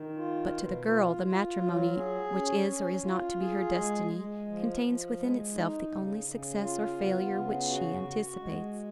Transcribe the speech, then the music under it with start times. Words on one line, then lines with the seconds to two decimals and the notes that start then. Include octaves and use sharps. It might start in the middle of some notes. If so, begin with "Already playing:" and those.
But to the girl the matrimony which is or is not to be her destiny contains within itself the only success or failure which she anticipates.
Already playing: D#3
0.17 F4
0.53 B2
0.89 F4
1.25 F4
1.60 F#3
1.97 G#4
2.32 C#4
2.68 C#4
3.04 F4
3.39 G#4
3.75 G#3
4.11 G#3
4.47 F3
4.83 F3
5.19 G#3
5.54 D#4
5.90 C#3
6.26 C#3
6.61 F4
6.98 B3
7.33 C#3
7.69 F#4
8.05 F#4
8.40 G#3